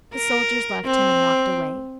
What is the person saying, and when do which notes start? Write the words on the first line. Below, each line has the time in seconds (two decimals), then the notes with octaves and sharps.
The soldiers left him and walked away.
0.15 A#4
0.85 C4